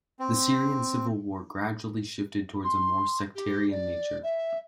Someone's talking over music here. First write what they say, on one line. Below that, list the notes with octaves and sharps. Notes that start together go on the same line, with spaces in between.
The Syrian civil war gradually shifted towards a more sectarian nature.
C4
C6
G4
D5
E5